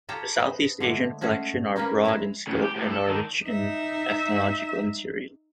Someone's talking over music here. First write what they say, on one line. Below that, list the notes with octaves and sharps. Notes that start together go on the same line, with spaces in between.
The Southeast Asian collections are broad in scope and are rich in ethnological material.
F4 G4 A4 C#5 G5 A#5
B4 C5 D#5
D3 G#3 A3
G#3 A3 C#4 F#4 G#4
G3 A#3 C#4 A#4 B4
G#3 E4
A2 C#3
G4
A2 C3
A4
D#3 D4
D#4 E5